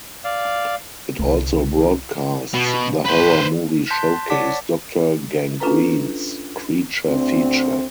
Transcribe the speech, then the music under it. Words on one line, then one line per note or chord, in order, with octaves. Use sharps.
It also broadcasts the horror movie showcase "Doctor Gangrene's Creature Feature".
D5 F5
C2 D3
B2
B4 C5
A5 C6 F#6 G6 B6
C#5 D5 F#5 A5 D6 B6
C#4 D4 F4 A4 B4 A#5
D2 C4